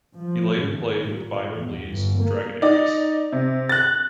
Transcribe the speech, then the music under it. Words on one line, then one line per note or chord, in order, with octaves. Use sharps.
He later played with Byron Lee's Dragonaires.
F3
G#1
A#2
E2
G1
A#3
D#4 D5
C3
F#6 A6